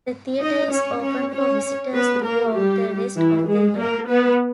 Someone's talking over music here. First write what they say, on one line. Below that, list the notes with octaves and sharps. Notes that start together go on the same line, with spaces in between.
The theatre is open for visitors throughout the rest of the year.
D#4 D#5
C#4 C#5
C#4 C#5
C#4 C#5
B3 B4
A#3 A#4
G3 G4
E3 E4
G#3 G#4
A#3 A#4
B3 B4